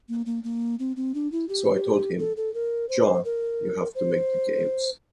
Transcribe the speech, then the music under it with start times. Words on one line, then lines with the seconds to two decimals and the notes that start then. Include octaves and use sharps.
So I told him, 'John, you have to make the games.
0.09 A#3
0.26 A#3
0.44 A#3
0.79 C4
0.96 C4
1.14 D4
1.32 E4
1.49 G4
2.19 A4
2.37 A4
2.54 A#4
2.89 C5
3.25 A#4
3.95 C5